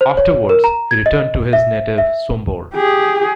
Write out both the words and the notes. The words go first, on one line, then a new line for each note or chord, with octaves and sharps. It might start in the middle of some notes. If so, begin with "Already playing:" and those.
Afterwards he returned to his native Sombor.
C5
C#5
A#4
A#5
G#6
D#5
E5
E5
G4 G#4